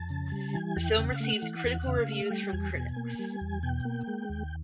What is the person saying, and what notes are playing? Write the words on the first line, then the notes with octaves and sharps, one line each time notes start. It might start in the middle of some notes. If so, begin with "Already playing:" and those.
The film received critical reviews from critics.
Already playing: F2 A5
C#3
G3
E3 G#5
E2 G5
C#3 G5
F#5
F5
A3 F#5
E3
E2
C#3 F5
A3
G3 G5
E2 G#5
B2
A#3
G3
E2
B2 G5
A#3
G#3
D#2